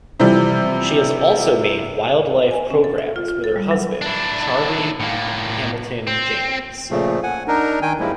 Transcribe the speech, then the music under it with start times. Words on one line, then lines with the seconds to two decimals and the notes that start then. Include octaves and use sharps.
She has also made wildlife programmes with her husband, Charlie Hamilton James.
0.20 C3 E3 F3 G3
2.51 G#5
2.70 C#4
2.84 A4
2.98 E5
3.16 F4
3.28 F4
3.44 A4
3.56 G3
3.71 F#3
4.02 D4 E4
5.00 A2 A#3
6.07 C4
6.91 A#2 C#3 F3 A3
7.23 F#5 G#5
7.48 D4 D#4 A#4
7.82 D#3 G5 G#5
8.00 G2 F3 G3 G#3 A#3 E4